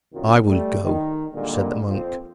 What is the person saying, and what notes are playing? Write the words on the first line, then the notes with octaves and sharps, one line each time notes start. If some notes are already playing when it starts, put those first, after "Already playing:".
"I will go," said the monk.
C2 F#2 D#3 F#3 F4
G3 A3
D#3
A#2 D3 G3 G#3 A#3
F2 F3 C4